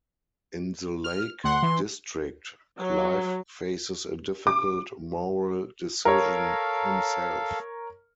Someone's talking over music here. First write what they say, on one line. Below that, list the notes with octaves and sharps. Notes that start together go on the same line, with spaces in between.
In the Lake District, Clive faces a difficult moral decision himself.
F6
D2 F#5 C6
E3
F#3
D6
A4 A#4 C#5 F5